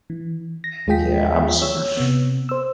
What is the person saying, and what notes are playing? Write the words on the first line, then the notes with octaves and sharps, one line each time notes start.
yeah, I'm super f
E3
A#6
D#2 G#3 F4 G#4 G5 B6
C#5 E6
C3 B3
C5 E6